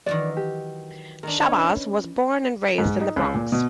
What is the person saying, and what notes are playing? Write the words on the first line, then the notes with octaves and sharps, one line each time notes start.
Shabazz was born and raised in The Bronx.
D#3 E3 F#3 D5
G4
D#3 D4 A#4
C#4 B4 C#5 D#5
G#2
D#4
C#2
A#2
B2